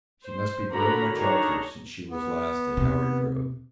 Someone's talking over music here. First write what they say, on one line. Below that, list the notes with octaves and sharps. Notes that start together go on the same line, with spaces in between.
She must be very much altered since she was last at Howard Grove.
C5
D3 F#4 A#4 A#5 B5
D#3 D4 G#4 C#5 A#5
B3
D#2 C3